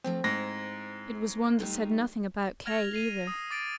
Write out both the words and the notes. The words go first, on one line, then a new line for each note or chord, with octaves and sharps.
It was one that said nothing about Kay either.
D2 F3 A3 C4
G#2 E4 A#6
G3 A3 D#4
F6 G#6 A#6 F7
C7 D#7
D#6
D6 A6 D7